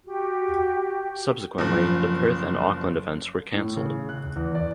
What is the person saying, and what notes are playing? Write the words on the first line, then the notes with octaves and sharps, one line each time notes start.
Subsequently the Perth and Auckland events were cancelled.
F#4 G4
F#1 F3
A2
C#3
F#6
E2
D5